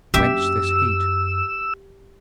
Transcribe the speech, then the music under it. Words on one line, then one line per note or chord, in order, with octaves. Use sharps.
Whence this heat?
F#2 A#3 G4 E5 E6